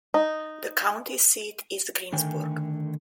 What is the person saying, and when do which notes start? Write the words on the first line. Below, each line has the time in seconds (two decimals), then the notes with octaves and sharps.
The county seat is Greensburg.
0.14 D#4
2.13 D3 D#3 A3 G5 G#5